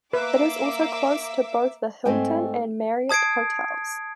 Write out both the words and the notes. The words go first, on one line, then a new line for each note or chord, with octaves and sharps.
It is also close to both the Hilton and Marriott hotels.
A#3 B4 E5 D6 E6
G#2 A3 C4 D#5 G5 G#5
A5 D#6 G#6 C7 D7